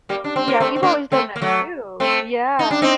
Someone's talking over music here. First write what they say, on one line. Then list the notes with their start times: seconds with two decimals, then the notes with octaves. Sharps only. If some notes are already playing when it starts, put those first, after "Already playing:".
Yeah. We've always done that, too. Yeah.
0.09 G3 A#3
0.24 D4
0.36 C4
0.48 A#3
0.60 A3 C4
0.76 C4
0.83 A#3 D4
1.12 A3 C4
1.36 A#3
1.42 F#3 A3
2.00 A3 C4
2.59 D#4
2.71 D4
2.82 C4 D#4